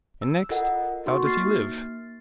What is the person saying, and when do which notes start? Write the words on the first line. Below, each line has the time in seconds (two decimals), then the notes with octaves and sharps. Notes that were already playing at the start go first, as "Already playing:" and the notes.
And next, how does he live?
0.22 E6
0.50 F4 A4 A#4 D#5 F#5
1.06 D#4 F#4 C6 C#6
1.24 A#3 F6 A6 C7